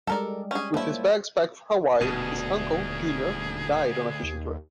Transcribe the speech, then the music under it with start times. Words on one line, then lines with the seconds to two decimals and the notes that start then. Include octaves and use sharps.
With his bags packed for Hawaii, his uncle, Junior, died on a fishing trip.
0.07 G3 G#3 A4 A#4 D5
0.51 C#4 G#4
0.74 F3 A#3 E4 C#5
2.01 D#1 D2 B2 G#4 D#7
4.23 D#2